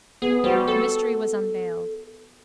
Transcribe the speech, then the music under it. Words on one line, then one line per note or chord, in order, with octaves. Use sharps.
The mystery was unveiled.
B3 G#4
G3 F#4 G4 C5
A4